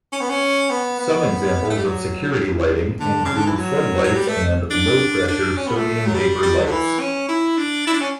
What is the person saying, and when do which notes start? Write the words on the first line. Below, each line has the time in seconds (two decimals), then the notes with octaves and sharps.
Some examples of security lighting include floodlights and low pressure sodium vapour lights.
0.12 C#4
0.21 B3
0.29 C#4
0.70 B3
0.99 B3
1.70 A3
1.77 G3
1.84 F#3
3.00 D3
3.25 C#3
3.35 D3
3.47 E3
3.57 F#3
4.04 F#3
4.14 G3
4.28 A3
4.71 D4
5.28 D4
5.57 C#4
5.67 B3
5.76 A3
6.06 F#3
6.14 G3
6.43 G3
6.58 F#3
6.65 D3
6.71 E3
7.00 C#4
7.29 E4
7.57 D4
7.87 E4
7.94 D4
8.01 C#4